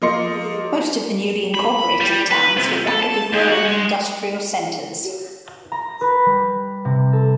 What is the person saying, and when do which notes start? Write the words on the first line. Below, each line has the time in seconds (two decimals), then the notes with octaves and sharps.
Most of the newly incorporated towns were rapidly growing industrial centres.
0.02 F3 A#3 D#5 C6 C#7
1.54 B5
2.01 G3
2.31 B4
2.57 C3
2.87 A4
3.03 A5
3.33 D#2
3.51 F#4
3.65 G#3
5.72 A#5
6.01 B4
6.26 G3
6.85 C3
7.13 A4